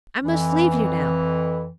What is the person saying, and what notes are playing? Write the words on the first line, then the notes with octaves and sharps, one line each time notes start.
I must leave you now.
F2 E3